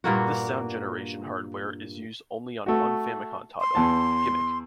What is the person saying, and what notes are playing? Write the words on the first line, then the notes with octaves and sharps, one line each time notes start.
This sound generation hardware is used on only one Famicom title: "Gimmick!".
G2 A#2 A#3 F#4
A3 F#4
C6
E2 A5